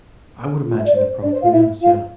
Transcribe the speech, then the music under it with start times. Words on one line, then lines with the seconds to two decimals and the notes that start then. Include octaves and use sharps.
I would imagine there probably is, yeah.
0.65 F4
0.78 E5
0.86 D5
0.94 C5
1.22 D4 D5
1.33 C5
1.42 F4 F5
1.52 E4 E5
1.81 F4 F5